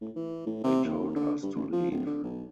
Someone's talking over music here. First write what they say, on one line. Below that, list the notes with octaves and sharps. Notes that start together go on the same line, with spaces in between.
They told us to leave.
A2
E3
A2
C3
D#2
D3
G2
A1
F3
D1
D3
B1